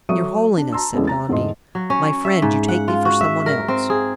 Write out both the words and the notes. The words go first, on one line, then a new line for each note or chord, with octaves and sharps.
"Your holiness!" said Gondy; "my friend, you take me for some one else."
F#3 A4 E5 C#6 D#6 D#7
D4
A5 A#5 C6 E6
E2 C#3 G#3 A3 B3 C#4
A#5 A6
E2 G#2 A3 A4 D#5 C6
F#3
C#4
E5
G#2
F#5
F4
F#4
E5
A#4
C4
G#4